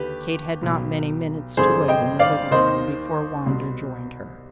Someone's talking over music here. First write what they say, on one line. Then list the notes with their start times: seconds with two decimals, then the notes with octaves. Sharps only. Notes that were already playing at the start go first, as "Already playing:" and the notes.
Kate had not many minutes to wait in the living-room before Wander joined her.
Already playing: D#2 D3 G4 B4
0.63 B1 B2
1.57 G1 F2 D3 G#4 C5
1.88 D#5 G5
2.19 D5 F5
2.51 D#2 D#3 C5 D#5
3.46 C2 B2